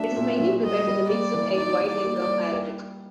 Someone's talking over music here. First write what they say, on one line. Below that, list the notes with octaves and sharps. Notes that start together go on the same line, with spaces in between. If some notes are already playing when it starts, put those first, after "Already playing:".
It is mainly prepared with a mix of egg white and gum arabic.
Already playing: F#3 A3 D4 E5
A#2
F#3
G3 D#5
G3
A#3 D5
E3
D#4 D5
G3
D5
A#3
D5
G3
G4